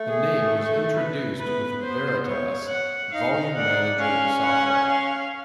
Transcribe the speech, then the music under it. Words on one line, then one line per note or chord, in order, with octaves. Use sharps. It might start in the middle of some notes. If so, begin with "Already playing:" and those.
The name was introduced with Veritas Volume Manager software.
Already playing: A3
G#4
A4
B4
B3 B4
C5
C#5
F#5
D#4 F5
D4 F#5
C#4 F5
F#5
F5